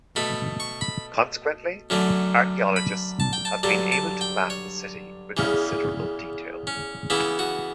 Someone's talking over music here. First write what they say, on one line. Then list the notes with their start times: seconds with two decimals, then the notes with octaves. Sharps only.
Consequently, archaeologists have been able to map the city with considerable detail.
0.16 B2 A3 B5
0.60 C#6
0.81 B5
1.90 F#2 D3 F#3 A3
2.76 B5
3.20 A5
3.33 G5
3.45 A5
3.63 G2 D3 F#3 A5
3.92 A5
4.21 G5
4.50 C#5
5.37 E2 C#3 E3
6.67 C#4
7.10 C#3 E3 B3 E4
7.39 F#4